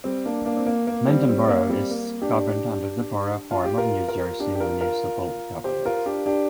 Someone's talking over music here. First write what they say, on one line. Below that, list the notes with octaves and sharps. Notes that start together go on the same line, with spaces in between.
Mendham Borough is governed under the Borough form of New Jersey municipal government.
G3 C4
A#3 D4
A#3 D4
C4
A#3
A#3
G3 C4
G3 C4
A#3
G3 C4
A#3
D4 G4
F4
G4
F4 A#4
F4 A#4
D4 G4
G4
F4 A#4
F4 A#4
G4 C5
F4 A#4
D4 G4
D4 G4